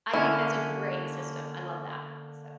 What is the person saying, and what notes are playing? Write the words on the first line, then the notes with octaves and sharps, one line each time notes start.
I think that's a great system, I love that, so,
D3 A#3 C#4 E4